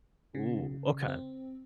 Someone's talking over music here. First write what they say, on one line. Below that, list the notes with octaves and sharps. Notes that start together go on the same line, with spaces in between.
Ooh, okay,
C#3
C4